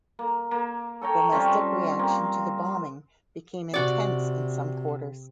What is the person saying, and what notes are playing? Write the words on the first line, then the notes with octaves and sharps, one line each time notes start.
Domestic reaction to the bombing became intense in some quarters.
A#3
A#3
A4 C#5 G5 A#5
G3 C4 C#4 F4
A#3 C4
C3 F#4 D5